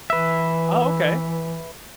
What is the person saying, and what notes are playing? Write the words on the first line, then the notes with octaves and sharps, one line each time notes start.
Oh, okay.
E3 B4 E5